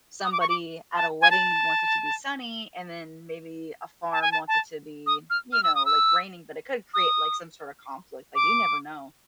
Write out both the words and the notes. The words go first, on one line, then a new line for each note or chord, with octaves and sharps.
somebody at a wedding wants it to be sunny and then maybe a farm wants it to be, you know, like, raining, but it could create, like, some sort of conflict, like, you never know.
D#6
D6
C#6
D6
A5
G#5
A5
A5
G#5
A5
A5
D#6
F6
F6
E6
D#6
E6
D#6
D6